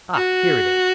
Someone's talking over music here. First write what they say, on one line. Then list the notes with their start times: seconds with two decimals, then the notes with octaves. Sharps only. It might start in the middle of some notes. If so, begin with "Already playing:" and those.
Ah, here it is.
0.15 F#4